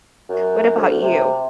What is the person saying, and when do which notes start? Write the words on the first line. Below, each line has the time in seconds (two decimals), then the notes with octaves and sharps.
What about you?
0.29 F#2
0.76 D2
1.01 C3